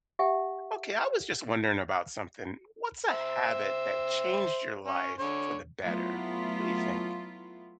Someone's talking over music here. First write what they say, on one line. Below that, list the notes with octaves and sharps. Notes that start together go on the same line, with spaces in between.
Okay, I was just wondering about something. What's a habit that changed your life for the better? What do you think?
G4 E5 F#5 G#5
C5 E5
C#4
D3 C#5
F#3 A3 B3 E4 F4